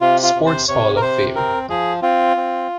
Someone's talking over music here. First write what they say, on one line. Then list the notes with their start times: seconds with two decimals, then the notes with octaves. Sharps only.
Sports Hall of Fame.
0.01 C3 F4
0.23 F4
0.35 C3
0.46 C5
0.68 C3 C#5
0.96 A#4
1.01 C3 C5
1.35 C4 A#4
1.69 F3 G#4
2.02 C4 F4
2.37 C4